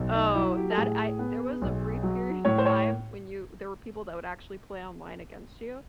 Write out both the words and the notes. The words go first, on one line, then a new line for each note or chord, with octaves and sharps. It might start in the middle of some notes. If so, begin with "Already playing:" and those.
Oh, that I there was a brief period of time when you there were people that would actually play online against you,
Already playing: B1
D#4
F#3 E4
G4
A4
A2 G#4
B3
B1
F#3
A2 C#5
C5
C#5